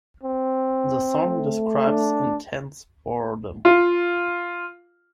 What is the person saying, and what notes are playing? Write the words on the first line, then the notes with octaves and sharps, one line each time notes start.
The song describes intense boredom.
C4
A3
D4
F4